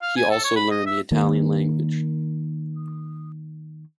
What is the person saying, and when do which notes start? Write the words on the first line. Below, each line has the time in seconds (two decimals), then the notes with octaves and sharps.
He also learned the Italian language.
0.02 F5
0.17 G#5
0.31 A4
0.44 C#5
0.56 B5
0.71 D#5
0.86 E5
1.12 D#3 A#3